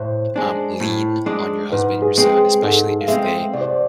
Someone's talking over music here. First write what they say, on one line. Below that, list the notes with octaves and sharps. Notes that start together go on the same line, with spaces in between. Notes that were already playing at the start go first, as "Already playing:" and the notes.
um, lean on your husband and your son, especially if they,
Already playing: A2 C5
G#3 D4
A2
G#3 D4
G#2 B4
G#4
G#3 C4
G#4
G#2 A4
F5
G#3 C4 E5
C2 D5
C5
D5